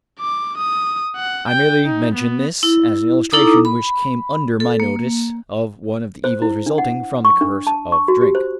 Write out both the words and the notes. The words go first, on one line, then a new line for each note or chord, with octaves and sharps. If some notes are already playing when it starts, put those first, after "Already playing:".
I merely mention this as an illustration which came under my notice of one of the evils resulting from the curse of drink.
D6
D#6
F#5
G5
D#4
B3
E4
D#4 E4 A4 A#5 D6 D#6
B5
A4
A#3
C5
E4
D4
F#5
C#6
D4
A5
C#6
F#4
G4
C5